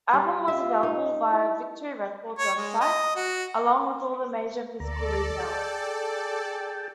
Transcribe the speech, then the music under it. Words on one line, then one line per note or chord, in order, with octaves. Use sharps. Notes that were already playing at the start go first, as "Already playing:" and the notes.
Album was available via Victory Records website, along with all the major physical retailers.
G3
F4 E5
D#4
E4
C#5
G#3
D#5
F#4
D2 A4 D5 A#5
G#4 G5 A5